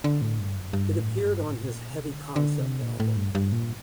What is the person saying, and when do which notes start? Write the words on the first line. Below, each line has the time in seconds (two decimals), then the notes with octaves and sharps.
It appeared on his "Heavy Concept" album.
0.04 D3
0.22 A2
0.40 G2
0.56 F#2
0.73 G2
0.97 A2
1.21 G2
1.43 A2
1.67 A#2
1.90 C3
2.13 D3
2.36 D3
2.60 C3
2.82 A#2
3.00 A2
3.16 G2
3.35 G2
3.52 A#2